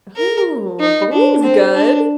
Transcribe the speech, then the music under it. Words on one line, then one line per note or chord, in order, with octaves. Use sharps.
Oh, bowling's good,
A#4
D#4
D4
C4
D4